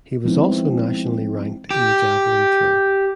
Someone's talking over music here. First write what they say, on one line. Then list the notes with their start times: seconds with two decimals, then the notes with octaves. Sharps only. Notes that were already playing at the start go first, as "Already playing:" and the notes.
He was also nationally ranked in the javelin throw.
0.24 F3 G#3 B3 C4 D#4 E4
1.71 G4